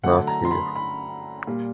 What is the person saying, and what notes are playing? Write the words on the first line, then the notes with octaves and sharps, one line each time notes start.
Not here.
D3 F#3 A3 F#5
A#5
C6
B5
B5
A#2 G3